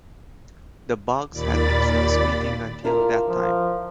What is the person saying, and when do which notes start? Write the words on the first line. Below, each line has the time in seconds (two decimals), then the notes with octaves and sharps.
The bugs had been transmitting until that time.
1.32 D#2 A#2 D5 B5 A6
2.84 D4 E4 F4 A#4
3.28 F3